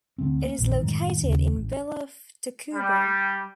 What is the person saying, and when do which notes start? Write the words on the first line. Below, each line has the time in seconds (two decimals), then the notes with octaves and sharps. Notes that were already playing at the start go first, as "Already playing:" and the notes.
It is located in Villa of Tacuba.
0.18 D2 D3 A3 C4
0.45 A#3
0.58 A#1 F2 A#2 D#3
0.82 F#2 A2 D#3 G#3
1.23 D#2 C#3
1.55 A1
2.74 G3